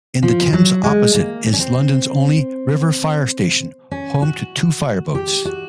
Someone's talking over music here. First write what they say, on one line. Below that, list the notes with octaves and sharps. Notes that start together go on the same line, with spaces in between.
In the Thames opposite is London's only river fire station, home to two fireboats.
F3
F#3
G#3
A#3
C4
C#4
C4
C#4
F#4
G4
F#4